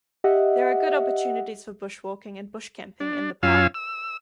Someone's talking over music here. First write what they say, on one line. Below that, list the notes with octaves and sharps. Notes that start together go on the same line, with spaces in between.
There are good opportunities for bushwalking and bushcamping in the park.
G4 D#5 E5 F#5
D4
F#2 C#4 F4 F5 G#5 E6
E6